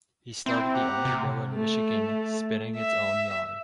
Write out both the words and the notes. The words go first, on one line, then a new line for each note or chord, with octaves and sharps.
He started the only mill in Michigan spinning its own yarn.
C4 E4 C5
G4 F#5 A#5
C3
A3
E5